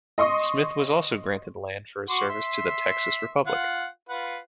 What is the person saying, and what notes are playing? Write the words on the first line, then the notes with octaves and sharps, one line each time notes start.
Smith was also granted land for his service to the Texas Republic.
D#5 C6 C#6 D#6
F#4 C6 D6
E5 C6
F4 F#5
F4 B4 F#5